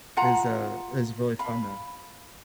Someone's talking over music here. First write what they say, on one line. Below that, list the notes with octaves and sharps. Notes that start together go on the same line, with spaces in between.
is, uh, is really fun though.
F4 F5 F#5 A#5
F5 B5